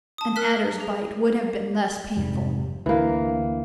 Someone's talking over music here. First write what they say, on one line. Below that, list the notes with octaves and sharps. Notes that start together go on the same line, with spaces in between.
An adder's bite would have been less painful.
A5 D#6
A#4 F6 F#6 B6
G#4
F1 G#2 G3
D2 E3 A#3